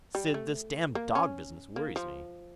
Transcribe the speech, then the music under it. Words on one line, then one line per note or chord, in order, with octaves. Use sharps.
"Sid, this damn dog business worries me."
G3
A3
A#3
C#4
A#3
F3